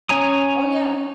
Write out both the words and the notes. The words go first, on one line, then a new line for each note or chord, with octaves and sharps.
Oh, yeah.
C#4 C#5 G#5 A#5 D#6